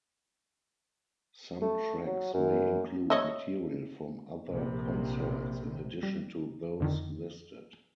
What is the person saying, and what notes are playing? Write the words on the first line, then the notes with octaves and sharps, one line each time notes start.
Some tracks may include material from other concerts in addition to those listed.
A3
F#3
F#2
C#5 D#5 E5
A#1 C3
G3
F2 D3 D#3